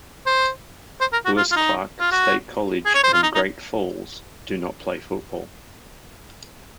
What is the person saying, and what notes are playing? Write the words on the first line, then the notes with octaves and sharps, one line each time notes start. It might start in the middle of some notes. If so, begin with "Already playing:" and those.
Lewis-Clark State College and Great Falls do not play football.
C5
C5
A#4
F#4
F4
F4
D#4
F4
F#4
G#4
C#5
C5
F4
D#4
D#4